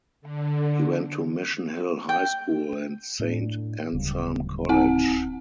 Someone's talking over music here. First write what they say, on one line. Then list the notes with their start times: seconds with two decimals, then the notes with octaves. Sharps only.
He went to Mission Hill High School and Saint Anselm College.
0.22 D3
2.09 G5
3.19 A2 D4
3.93 D1 C#3 G3
4.69 C4 F#5